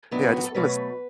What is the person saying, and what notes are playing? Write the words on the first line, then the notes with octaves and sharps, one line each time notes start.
Hey, I just wanna s
A2 F#3 B3 D4
F#4
F#4
A4
B2 F#3 A3 B4